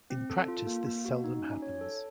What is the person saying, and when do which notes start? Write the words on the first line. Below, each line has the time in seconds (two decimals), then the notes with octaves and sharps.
In practice, this seldom happens.
0.10 C4
0.30 A4
0.48 F4
0.67 A#3
0.86 A#3
1.05 F#4
1.24 D#4
1.43 C#4
1.62 C#5
1.81 A4